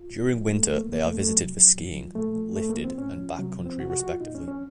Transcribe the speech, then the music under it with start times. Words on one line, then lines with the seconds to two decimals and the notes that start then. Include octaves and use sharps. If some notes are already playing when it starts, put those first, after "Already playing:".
During winter they are visited for skiing, lifted and back country respectively.
Already playing: F4
0.10 A2
0.31 F3
0.51 A2 A3
0.65 A3
0.72 F3
0.78 A#3
0.92 C3 A#3
1.06 A3
1.12 F3
1.19 A3
1.33 C3 F#3
1.54 F3
1.75 A#2
1.95 F3
2.15 A#2 A3
2.36 F3
2.56 A2 A3
2.70 A#3
2.76 F3
2.84 C4
2.97 A2 C#4
3.18 F3
3.39 C3 F#3
3.59 F3
3.66 C4
3.79 C3 F#4
3.90 F#4
4.00 F3 F#4
4.10 F4
4.20 A#2 D#4
4.35 C#4
4.42 F3
4.48 C#4